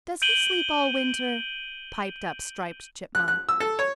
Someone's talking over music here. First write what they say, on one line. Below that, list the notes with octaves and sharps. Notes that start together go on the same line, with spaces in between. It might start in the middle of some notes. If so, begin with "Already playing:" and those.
"Does he sleep all winter?" piped up Striped Chipmunk.
G6 D7 D#7 F#7 G7
F#6
F#6
E6
A4
C#5